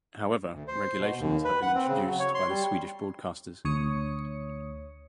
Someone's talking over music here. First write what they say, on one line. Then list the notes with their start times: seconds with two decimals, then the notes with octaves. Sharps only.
However, regulations have been introduced by the Swedish broadcasters.
0.53 D2
0.68 C5
0.99 B2
1.20 D#2
1.45 B4
1.62 F#5
1.75 C4
1.87 C#3
2.06 F#3
2.20 C#5
2.35 C6
2.49 G3
3.65 D2 C#5 D#6 C#7